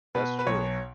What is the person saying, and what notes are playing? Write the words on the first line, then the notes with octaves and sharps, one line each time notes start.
That's true.
B2 B4
B4
B1 C#5